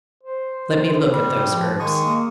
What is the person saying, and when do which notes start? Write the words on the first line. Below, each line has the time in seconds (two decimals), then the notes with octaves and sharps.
Let me look at those herbs.
0.23 C5
1.12 G3 C4
1.46 F3
1.80 D#3 G#3 C#6 D#6
2.04 A#3